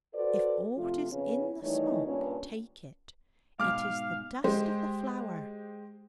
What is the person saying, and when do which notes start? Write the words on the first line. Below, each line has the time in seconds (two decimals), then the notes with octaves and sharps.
If aught is in the smock, take it; it is the dust of the flower.
0.14 F#4 A4 B4 C5 D5
0.77 C3 F3 A3 F4
1.12 F2 C#3 B3 C#4
1.63 D#3 E3 G3 A3 D#4 C#5
2.05 G2 A#2 B3 C#4 C#5
3.60 G#2 B2 F5 D6 F6
4.44 G#3 G4 C5